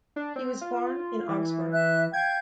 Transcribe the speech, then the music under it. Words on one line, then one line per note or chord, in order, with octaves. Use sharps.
He was born in Augsburg.
D4
C4
F4
E3
E5 F#6
F5 G5 G6 G#6